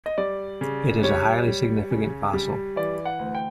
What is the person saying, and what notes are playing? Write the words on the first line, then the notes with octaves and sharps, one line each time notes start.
It is a highly significant fossil.
D#5
G3 D5
C#3
G3 C#5
G3
C#3
G3
E3 D5
F#5
D2
G5